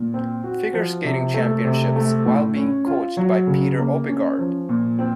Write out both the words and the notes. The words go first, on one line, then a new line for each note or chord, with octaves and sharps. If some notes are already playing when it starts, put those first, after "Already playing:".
Figure Skating Championships while being coached by Peter Oppegard.
Already playing: A#2
C4
F#4
F3
C3
A3
C3
A3
A2
C#4
F4
F#3
C#3
A#3
C#4
F3
A#2
C4